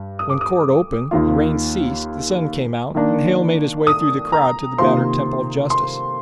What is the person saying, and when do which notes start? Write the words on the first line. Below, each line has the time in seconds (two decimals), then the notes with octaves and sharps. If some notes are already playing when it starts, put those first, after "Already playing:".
When court opened, the rain ceased, the sun came out and Hale made his way through the crowd to the battered temple of justice.
Already playing: G2
0.19 D#6
0.30 D6
0.41 D#6
1.11 D#2 D#3 A#3 F4
2.95 D#3 A#3 D4
3.87 D#6
4.32 A#5
4.78 C3 D#3 A#3 F4 C5 C6
5.70 C6